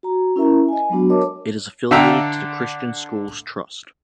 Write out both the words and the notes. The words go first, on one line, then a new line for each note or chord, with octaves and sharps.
It is affiliated to the Christian Schools Trust.
F#4 A#5
C#4 E4 A#4 E5 A#5
D#5 G#5
F#3 G#3 B3 D4 F#4
A#4 C#5 D#5 A5 D6
D3 A4 E5 F5 G5 A#5